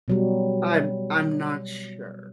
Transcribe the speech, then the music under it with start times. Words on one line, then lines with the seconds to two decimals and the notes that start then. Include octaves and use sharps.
I'm I'm not sure.
0.08 B2 F#3 G3